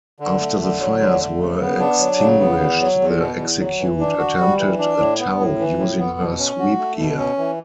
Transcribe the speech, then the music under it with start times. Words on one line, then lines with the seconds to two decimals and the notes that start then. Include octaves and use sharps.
After the fires were extinguished the "Execute" attempted a tow using her sweep gear.
0.20 D3
0.40 A3
0.61 D3
0.80 F#3
1.00 D3
1.21 A3
1.40 C#3
1.61 B3
1.80 D4
2.00 F#3
2.19 C#3
2.40 B3
2.60 E2
2.80 F#3
3.00 E2
3.20 B2
3.39 E2
3.60 F#3
3.79 E3
4.00 D4
4.19 F#4
4.40 G3
4.59 E3
4.79 D4
4.98 A2
5.19 B3
5.39 A2
5.59 E3
5.79 A2
5.98 B3
6.18 B2
6.39 C#4
6.59 F#4
6.79 A3
6.98 B2
7.18 C#4
7.38 E3